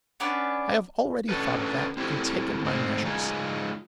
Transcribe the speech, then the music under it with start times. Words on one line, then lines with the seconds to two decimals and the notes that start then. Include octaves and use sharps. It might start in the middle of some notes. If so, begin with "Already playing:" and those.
I have already thought of that, and taken my measures.
0.20 B3 C#4 D4 B4
1.29 C#4 D4 F#4 A4 B4
1.97 C4 E4 F#4 G4 A4
2.64 G#2 A3 C4 D#4
3.04 F#3 G#3 D#4 F4 G#4